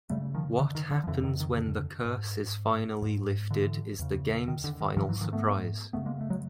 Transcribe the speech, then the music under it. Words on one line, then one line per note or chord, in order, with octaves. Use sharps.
What happens when the curse is finally lifted is the game's final surprise.
F#2 C#3 G3 A3
D#3 F3
D3 E3
D#3
D3
F3
F2 C#3 D3 E3
D#3
D#3
D3
G#2
G#2
D3 E3
E2 C#3
D#3
D3
D#3
G#2 D#3 F3
E3 F#3
D#3 F3
A3 B3
F#2 C#3 A3 B3
G#3 A#3
A3
F#3 G#3